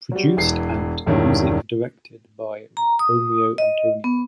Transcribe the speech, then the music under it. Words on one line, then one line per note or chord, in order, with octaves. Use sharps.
Produced and Music Directed by Romeo Antonio.
F#3 G3
E1 E3 C7
E1 G2 D#3 C#4 E4
A#5
D#6
D#5
B3